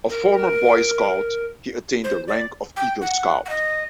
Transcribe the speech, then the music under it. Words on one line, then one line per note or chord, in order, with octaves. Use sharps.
A former Boy Scout, he attained the rank of Eagle Scout.
A#4
C5
D5
G5
F#5
F#5
D#5